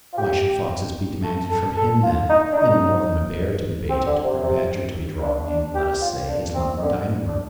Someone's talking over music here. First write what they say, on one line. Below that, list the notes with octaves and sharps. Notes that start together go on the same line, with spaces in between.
Why should foxes be demanded from him then any more than a bear to be baited, or a badger to be drawn, in, let us say, his London dining-room?
F4
G4
A4
A4
A4
F4
D#4
D4
D#4
C4
D3
C3
C3
D4
D4
G4
F4
D4
C4
D#3
D3
D4